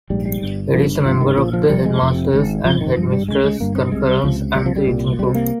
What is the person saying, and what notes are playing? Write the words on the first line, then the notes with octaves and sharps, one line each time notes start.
It is a member of the Headmasters' and Headmistresses' Conference and the Eton Group.
A#1 G#2 G3
G3
G1 G2
G1 G2 F3
G#1 G2 F3
D#3
A#1 A#2 F3
F3
F1 F2 C3 G3
G#3
F1 F2 C3
G#1 G#2
G1 F2 C#3 F3
D#3
G#1 G2 F3
G3
C#2 C#3 G#3
G#3
G1 G2 A#3
C4
C2 C3 G#3
G3
C#2 C3 F3
C2 A#2 G3
F3
G3
C2 A#2
C2 C3 G3
A#3